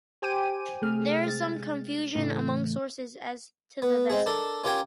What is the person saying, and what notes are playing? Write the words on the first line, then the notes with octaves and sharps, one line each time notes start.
There is some confusion among sources as to the vessel.
G4 C5 G5 G#5 D6 D#7
C3 A3 G#4 F6
G#3 A6
A2 C#3 E3 A3
B3
G#3 C4 G#4
D4 A4 A#4
C#4 F4 G4 A#4 G5 G#5